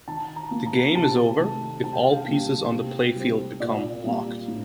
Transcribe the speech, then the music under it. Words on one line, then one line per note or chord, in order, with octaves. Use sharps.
The game is over if all pieces on the playfield become locked.
D#3 A5
A#5
A#3
A#5
C3 A5
D#3 A3
C3 A5
G5
F5
G5
G3 A#3
C3
G3 C4
A#2 D5
G3 A#3
A2